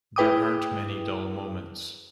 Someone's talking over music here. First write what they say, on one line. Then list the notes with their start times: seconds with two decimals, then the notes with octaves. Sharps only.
There aren't many dull moments.
0.16 E4 G#4 B4 G5 D6 D#6